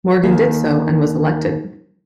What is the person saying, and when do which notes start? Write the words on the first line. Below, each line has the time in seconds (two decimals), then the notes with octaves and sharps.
Morgan did so and was elected.
0.24 D#2 D#3